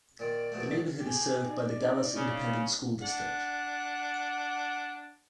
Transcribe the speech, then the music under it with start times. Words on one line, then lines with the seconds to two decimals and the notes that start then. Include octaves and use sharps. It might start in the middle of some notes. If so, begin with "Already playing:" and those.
The neighborhood is served by the Dallas Independent School District.
0.19 A#2 D#3 D5
0.52 A#1 B2 A3
1.00 G4 G#4
1.49 D#4 D5
2.15 C#3
3.01 D4 F#5